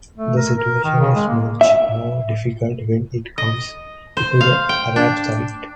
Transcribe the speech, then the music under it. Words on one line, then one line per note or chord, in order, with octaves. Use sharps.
The situation is much more difficult when it comes to the Arab side.
A3
A#4
A#4
D#3
C#3
G#3
A#3
E5
D#5
C5
F5
G5
D4